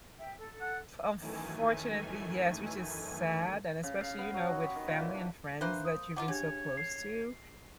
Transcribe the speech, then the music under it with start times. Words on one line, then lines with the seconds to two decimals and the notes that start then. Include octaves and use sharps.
unfortunately yes, which is sad, and especially, you know, with family and friends that you've been so close to,
0.18 E5 G5
0.39 A4
0.61 F#5
1.20 F#2 D#3 E3 A3 G#5
3.83 C#3
4.01 F5
4.18 B3
4.34 F#3
4.47 F#4
4.63 G4
4.76 D#3
4.88 A#2
5.00 E3
5.15 D4
5.61 A#3 D4 B4 C5 E5 F#6
5.85 D#6
6.16 F#3 A3 F4 F#5 D6
6.28 C#3 D4 G4 C#5
6.77 C7